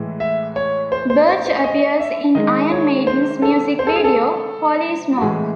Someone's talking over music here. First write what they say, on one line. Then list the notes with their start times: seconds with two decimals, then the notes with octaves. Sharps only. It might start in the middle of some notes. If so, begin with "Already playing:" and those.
Birch appears in Iron Maiden's music video "Holy Smoke".
Already playing: A2 E3 G#3
0.20 E5
0.56 C#5
0.92 C5
1.10 C5
1.29 C5
1.46 C5
1.64 D#5
2.00 E5
2.35 D#3 G#3 D#5
2.72 C#5
3.07 C5
3.42 A4
3.79 C5
3.87 A4
3.96 G#4
4.04 A4
5.17 F#4
5.22 A2 E3 G#3 G#4